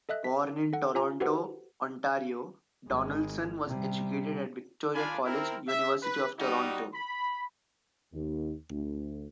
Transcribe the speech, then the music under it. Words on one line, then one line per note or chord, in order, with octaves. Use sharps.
Born in Toronto, Ontario, Donaldson was educated at Victoria College, University of Toronto.
A4 D#5 E5 F#6
B6
A4 F#5
F4 G#5 A#5
F#4 G4 A4 B4 C5 F#5
G#1 G#3
C3 G3
D4 F4 D5 F5 G#5 B5
C4 E4 A#4
E5
B4
G3 D#4 F#4
B5
D#2
D2